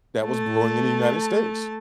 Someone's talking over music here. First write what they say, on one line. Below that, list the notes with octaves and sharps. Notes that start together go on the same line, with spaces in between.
that was brewing in the United States.
A3 A5